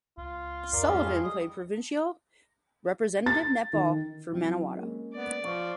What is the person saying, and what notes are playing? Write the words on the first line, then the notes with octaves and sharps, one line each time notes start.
Sullivan played provincial representative netball for Manawatu.
C#2 F4
F2 A#4 D5
G#2 G3 C#4 F4
F3 G#3 G#4
G3 D#5
A6
D#3
F#3 C4 E4
G#3 A#3 C#4
B3 D5
F3 C#6